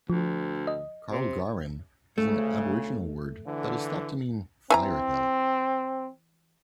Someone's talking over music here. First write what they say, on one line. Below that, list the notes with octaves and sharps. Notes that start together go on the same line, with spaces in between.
Karlgarin is an Aboriginal word that is thought to mean "fire hill".
D2 F3
D#5
C3
D2 C#3 A3
D3 E3
E3 C4 G#5 A#5